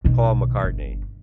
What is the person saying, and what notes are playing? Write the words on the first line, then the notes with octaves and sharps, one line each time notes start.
Paul McCartney.
B1 D#3
G1